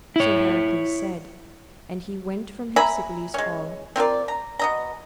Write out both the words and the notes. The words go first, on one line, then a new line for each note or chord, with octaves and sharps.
So Heracles said, and he went from Hypsipyle's hall.
E4 C#5
E5 G#5 A#5 B5
G#3 C#4
C4 F4 A#4 D5
A#5
B2 D#5 A#5